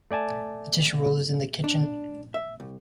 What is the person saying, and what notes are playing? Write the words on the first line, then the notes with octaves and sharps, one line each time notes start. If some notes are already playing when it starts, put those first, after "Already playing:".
The tissue roll is in the kitchen.
A3 D5 G#5 A5
D4
E5
C2